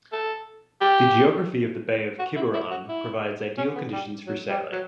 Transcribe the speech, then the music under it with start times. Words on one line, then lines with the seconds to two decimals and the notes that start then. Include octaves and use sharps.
The geography of the Bay of Quiberon provides ideal conditions for sailing.
0.12 A4
0.81 G4
2.19 F#4
2.36 E4
2.54 E4
2.71 F#4
2.89 E4
3.58 C#4
3.75 B3
3.93 G3
4.27 F#3
4.49 G3
4.72 F#3